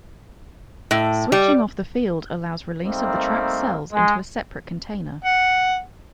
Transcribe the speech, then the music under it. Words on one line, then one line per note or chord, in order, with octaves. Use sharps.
Switching off the field allows release of the trapped cells into a separate container.
A2
G3
G3 A3 A#3 C4 D#4
G#3
F#5